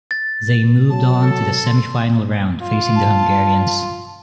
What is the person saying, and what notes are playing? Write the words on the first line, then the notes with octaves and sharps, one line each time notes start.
They moved on to the semifinal round, facing the Hungarians.
A6
F#3 A5
A4
C6
F4
A5